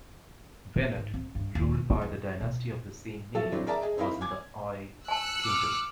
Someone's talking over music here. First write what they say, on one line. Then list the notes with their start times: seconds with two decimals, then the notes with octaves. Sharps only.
Venad, ruled by the dynasty of the same name, was in the Ay kingdom.
0.96 G#2
1.14 C4
1.35 G2
1.55 D#2
1.75 B2
2.01 E2
2.40 B2
3.34 F3 F#3 A4 E5 F5
3.52 F#3 C4 D4 E4
3.66 G#4 A#4 D5 E5 A5 A#5
3.82 G#4 D#5
3.97 C4 D#4 E4 A#4 F5 B5
4.21 G#5 D6 G#6
5.08 G#5 A5 E6 F#6 C#7
5.44 D6 F6